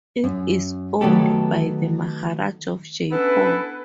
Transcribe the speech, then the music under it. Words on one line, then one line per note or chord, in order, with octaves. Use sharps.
It is owned by the Maharaja of Jeypore.
F#2
D#3 F#3 A3 B3 G4 A4
B3 C#4 D4 E4 A4 B4